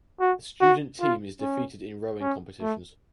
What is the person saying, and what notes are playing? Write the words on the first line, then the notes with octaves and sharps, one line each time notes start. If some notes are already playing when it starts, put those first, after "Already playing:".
The student team is defeated in rowing competitions.
F#4
F#4
F4
C#4
C#4
A3